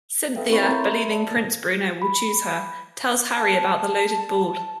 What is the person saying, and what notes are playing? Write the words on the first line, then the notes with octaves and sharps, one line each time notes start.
Cynthia, believing Prince Bruno will choose her, tells Harry about the loaded ball.
A4 B4 E5 F5 G5
C4 E4 A#4 C#5 B5 C#6
A4 E5 A#5 B5 G6 A6
E5 B5 C6
D5 A5
A#3 A#4 A6
B5
A5